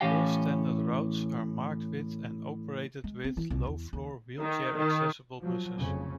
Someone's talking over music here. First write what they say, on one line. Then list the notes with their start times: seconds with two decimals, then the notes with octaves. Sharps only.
All standard routes are marked with and operated with low-floor, wheelchair-accessible buses.
0.01 A2 E3 C#4 G4 F5 G5
3.04 G#3
3.24 C4
3.37 E3
3.50 C2
3.66 E2
3.93 D#2
4.40 D#3
4.76 D#3
5.40 F3 F#3
5.77 F1 F2 C#3 C#4